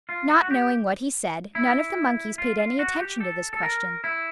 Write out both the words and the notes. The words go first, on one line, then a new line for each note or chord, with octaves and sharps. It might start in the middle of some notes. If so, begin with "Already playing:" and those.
Not knowing what he said, none of the monkeys paid any attention to this question.
F4
F#4
F#4
G4
E4
F4
F4
F#4
G4
A4
A4
A#4
E4